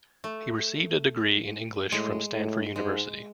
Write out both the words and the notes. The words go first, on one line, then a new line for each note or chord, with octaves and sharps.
He received a degree in English from Stanford University.
A3
A2 G#3
A2
G#2 G#3